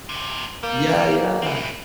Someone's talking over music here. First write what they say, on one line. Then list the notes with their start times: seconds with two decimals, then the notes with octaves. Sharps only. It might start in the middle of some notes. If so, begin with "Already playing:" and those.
Yeah, yeah.
0.09 G2 C3
0.63 G3 A#3
1.42 C4 E4